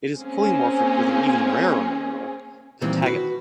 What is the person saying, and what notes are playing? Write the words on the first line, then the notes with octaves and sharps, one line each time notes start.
It is polymorphic with the even rarer mineral, pentagonite.
A#3 C4 C#4 G#4
A#2 D#3 E3 G3 C4
F#4 B4